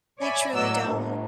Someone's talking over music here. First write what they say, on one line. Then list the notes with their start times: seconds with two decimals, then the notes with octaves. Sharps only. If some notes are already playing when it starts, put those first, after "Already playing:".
They truly don't.
0.20 C#5 D5 E5 G#5 B5
0.54 A2 F#3 D5 D#5 E6
0.90 G1 A2